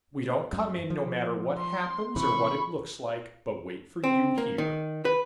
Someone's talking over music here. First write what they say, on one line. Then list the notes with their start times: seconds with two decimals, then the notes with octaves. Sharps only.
We don't come in, no matter what happens or what it looks like, but wait for you here.
0.53 F#2
0.90 F3
1.58 C6
2.16 C3 E3 B5 C#6
4.04 C4
4.38 A#3
4.58 D#3
5.05 B4